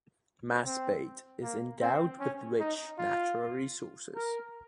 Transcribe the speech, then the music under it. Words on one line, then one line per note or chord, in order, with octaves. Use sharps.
Masbate is endowed with rich natural resources.
C4
A#3
C4
C#4
D#4
F4
A#4